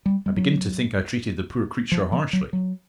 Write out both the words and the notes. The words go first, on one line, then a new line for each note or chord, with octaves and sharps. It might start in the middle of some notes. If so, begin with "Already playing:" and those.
I begin to think I treated the poor creature harshly.
G3
G3
F#3
F3
F3
F#3
F#3